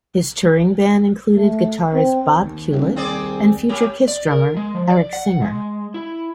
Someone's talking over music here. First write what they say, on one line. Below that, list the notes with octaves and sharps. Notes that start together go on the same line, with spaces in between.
His touring band included guitarist Bob Kulick and future Kiss drummer Eric Singer.
A3
C4
D#2
D#1
C2 C4 G#4 D5
A3 C#4 G4
D5
A#4
G#3
F3
D5
F#5
G#3
E4